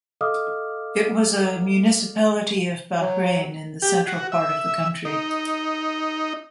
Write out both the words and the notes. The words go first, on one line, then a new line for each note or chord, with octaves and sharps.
It was a municipality of Bahrain in the central part of the country.
A4 D#5 F5 D6 D#6 F6
F#3
G4
F#4
E5
D#4